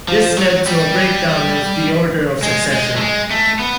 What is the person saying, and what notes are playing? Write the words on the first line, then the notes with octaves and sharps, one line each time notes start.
This led to a break down of the order of succession.
F3
F#3
G3
G#3
G#3
A3
G#3
A3
B3